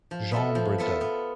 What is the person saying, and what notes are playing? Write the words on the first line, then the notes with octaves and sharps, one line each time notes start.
Jean Bridaux.
F3
B3 F4 A4 E5
F3
B3 F4 A4 E5
B3